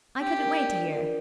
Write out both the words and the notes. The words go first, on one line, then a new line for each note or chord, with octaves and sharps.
'I couldn't wait to hear.
D4 G4
A#4
D5
F4
A#4